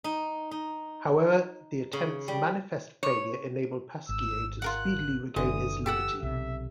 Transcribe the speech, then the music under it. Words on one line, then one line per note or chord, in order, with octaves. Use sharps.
However, the attempt's manifest failure enabled Pasquier to speedily regain his liberty.
D#4
D#4
C#3
G3
C#5
G#1 E6
F4 A#4 F#5 F#6
F#1 D3 E3 D#5 D#6
G4 A4 F#5 E6
B1 C3 E5